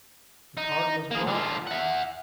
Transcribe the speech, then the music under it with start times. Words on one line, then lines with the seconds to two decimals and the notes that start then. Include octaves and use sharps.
The cart was brought.
0.57 D#4
1.11 A#3 G#4
1.27 D3 F4
1.67 E5 F#5